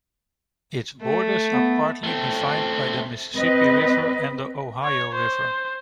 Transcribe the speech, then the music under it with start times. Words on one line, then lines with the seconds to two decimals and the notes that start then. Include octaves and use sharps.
Its borders are partly defined by the Mississippi River and the Ohio River.
1.03 A3
1.53 B3
2.04 A3 C4
3.35 C4 B4 D#5
4.84 C#5
5.15 C5